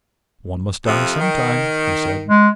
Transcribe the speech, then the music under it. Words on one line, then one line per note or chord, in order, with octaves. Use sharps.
"One must die sometime," he said.
F2 C3 F3
D#3
G#3